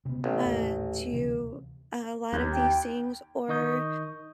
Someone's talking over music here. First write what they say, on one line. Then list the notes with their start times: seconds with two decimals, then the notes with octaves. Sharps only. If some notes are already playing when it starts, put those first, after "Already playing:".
uh, to a lot of these things or,
0.05 C3 B3
0.24 A1
0.46 D#1 A2
1.12 D2 C3 E3
2.33 D#2
2.53 G5
3.48 D#3 D#4 D#5 C#6 D#6 G6